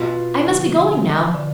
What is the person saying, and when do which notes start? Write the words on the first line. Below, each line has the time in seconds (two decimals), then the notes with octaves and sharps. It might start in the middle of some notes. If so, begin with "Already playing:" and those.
I must be going now.
Already playing: B2 B3 F4
0.45 D3 F3
0.75 D3
1.34 D3